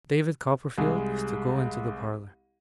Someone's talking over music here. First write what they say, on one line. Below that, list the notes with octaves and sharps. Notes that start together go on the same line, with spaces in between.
'David Copperfield is to go into the parlour.'
C2 G#3